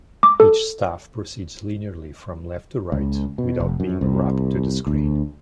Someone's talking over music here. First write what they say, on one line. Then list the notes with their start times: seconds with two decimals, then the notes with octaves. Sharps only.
Each staff proceeds linearly from left to right, without being wrapped to the screen.
0.23 D6
0.40 A4
2.92 C#2
3.38 B2
3.60 F1
3.80 F#2
4.01 C2
4.87 D2